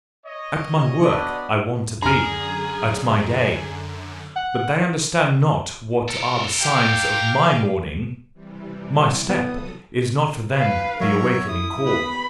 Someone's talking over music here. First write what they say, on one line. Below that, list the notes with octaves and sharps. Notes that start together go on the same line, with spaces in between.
At my work I want to be, at my day: but they understand not what are the signs of my morning, my step--is not for them the awakening-call.
C#5 D#5
B3 D4 F#4 D5 E5 D#6
F#2 D3 G#4 A#5 F6
F#5
A4 A#4
G4 F5 G5
C3 E3 G3
F#3 B3 A4 D#6
B4 F5
F#3 F#4 A#4 C#5 E5
E4 D#6
B3 G4 B4 B5